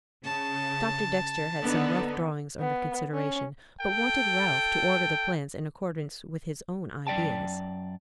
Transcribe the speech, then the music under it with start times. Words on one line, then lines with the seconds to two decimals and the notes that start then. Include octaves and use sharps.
Doctor Dexter had some rough drawings under consideration, but wanted Ralph to order the plans in accordance with his own ideas.
0.25 C#3 A5
1.63 D3 B3 D#4
2.60 B3
3.14 C#4
3.81 A4 G5
7.07 F#2 D5 G5 A5